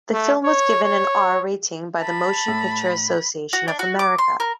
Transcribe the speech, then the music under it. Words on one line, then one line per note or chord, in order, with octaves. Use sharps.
The film was given an "R" rating by the Motion Picture Association of America.
A3
C#5
C#5
A5 B5
A2
F#4
D4
F#4
D6
C6
A#4